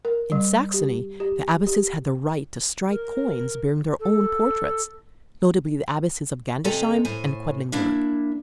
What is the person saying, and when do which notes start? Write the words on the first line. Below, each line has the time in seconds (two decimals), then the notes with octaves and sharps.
In Saxony, the abbesses had the right to strike coins bearing their own portraits, notably the abbesses of Gandersheim and Quedlinburg.
0.05 A#4
0.32 G3
0.74 G4
1.20 G4
1.67 G4
2.90 A#4
4.00 A4
6.64 F2 C3 A4 G#5 A#5
7.05 A2 C5 G#5
7.72 A#3 D4 E4